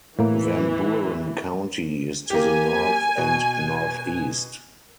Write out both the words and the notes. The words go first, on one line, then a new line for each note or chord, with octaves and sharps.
Van Buren County is to the north and northeast.
A2 E3 A#3
A#3 G4 G#5
B2